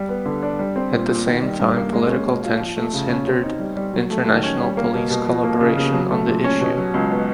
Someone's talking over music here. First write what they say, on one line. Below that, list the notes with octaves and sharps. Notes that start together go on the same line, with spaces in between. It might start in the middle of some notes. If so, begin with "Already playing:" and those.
At the same time political tensions hindered international police collaboration on the issue.
Already playing: G3
B3
D3
D4
G3
C4
A#2
A#2
D#3
G3
G2
A#3
G#3
C#4
B2
F4
F3
A3
C#3
C#4
C4
D#4
G3
G3
F#3
A3
D#3
C#4
G3
A#3
B2
B2
F3
A#3
C#3
C#3
F#3
A3
A#2
C#4
B2
F#3
C#2
B3